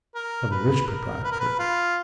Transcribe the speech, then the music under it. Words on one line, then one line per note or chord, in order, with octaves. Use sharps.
For the rich proprietor.
A#4
B4
A#4
B4
A#4
B4
F4